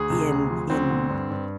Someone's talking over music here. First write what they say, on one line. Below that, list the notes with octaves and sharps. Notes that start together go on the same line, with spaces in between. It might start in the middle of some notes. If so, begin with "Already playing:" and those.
in in
Already playing: D2 G#4
C3
D2
F3
D2 C4
D3
G2
G2